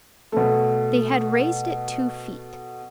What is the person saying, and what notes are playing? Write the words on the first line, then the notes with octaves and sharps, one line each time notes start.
They had raised it two feet.
B2 A3